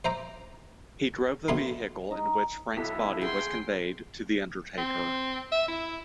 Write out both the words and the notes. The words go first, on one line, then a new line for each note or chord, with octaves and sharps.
He drove the vehicle in which Frank's body was conveyed to the undertaker.
C5 E5 A#5 D6
B2 D3 A3 G#4 B5 C6
D#4
B1 E4 A4 B6
G#4 B4 F#5 G5 C6
C4
E5
E4